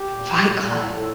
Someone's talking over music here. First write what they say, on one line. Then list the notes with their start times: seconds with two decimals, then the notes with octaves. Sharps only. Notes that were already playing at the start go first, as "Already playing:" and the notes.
Fight Club.
Already playing: G4
0.10 A#2
0.27 A#2
0.42 A#2
0.59 A#2
0.74 A2 A4
0.91 A2